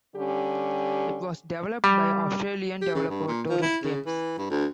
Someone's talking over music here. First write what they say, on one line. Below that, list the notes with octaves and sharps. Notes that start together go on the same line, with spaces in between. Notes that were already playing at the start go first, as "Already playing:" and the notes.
It was developed by Australian developer Torus Games.
D3 G3 C#4 G4
G3
G4
C#3
G2
A#2
F3
E4
C#3
E3
G2
D2